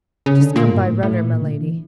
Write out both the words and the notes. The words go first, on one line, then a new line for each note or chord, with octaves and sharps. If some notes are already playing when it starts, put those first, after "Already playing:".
"Just come by runner, my lady."
C#3
D3
A#2
G2
A2
A2
A#2
D3
E3